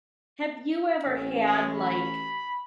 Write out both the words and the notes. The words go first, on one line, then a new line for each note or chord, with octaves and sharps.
Have you ever had, like
A1 C#4
G#3
B5